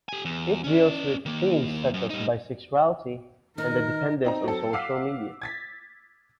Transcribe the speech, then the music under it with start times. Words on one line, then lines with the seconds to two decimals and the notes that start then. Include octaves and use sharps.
It deals with themes such as bisexuality and the dependence on social media.
0.09 G4 G#5
0.25 E2
0.64 C#4 D5
1.26 D#3 A#3
1.94 F#2
2.10 G3 D#4
3.58 D#3 D#4 A#4 F6
4.25 C4 D#4 A#5
4.44 F#3 C4 A4
4.73 F5 F#5 D6 E6 B6 C7
5.42 G#6 A6 B6